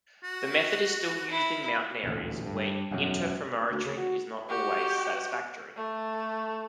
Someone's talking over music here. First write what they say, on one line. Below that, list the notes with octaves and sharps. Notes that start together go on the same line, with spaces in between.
This method is still used in mountain areas, where interferometry is not always satisfactory.
F#4
E4
D#1 A1 D2
G2
E1 F#2
D2
C#3
F#4
F#4 G4
A3